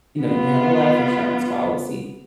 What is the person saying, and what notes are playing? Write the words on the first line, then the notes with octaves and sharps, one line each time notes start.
you know, you have a life insurance policy,
B3 F4